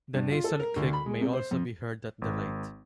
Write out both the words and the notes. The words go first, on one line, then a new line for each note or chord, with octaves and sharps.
The nasal click may also be heard at the right.
G2
F4
A4
A#4
D2
B5
G#3
C3
C5
F2
G#1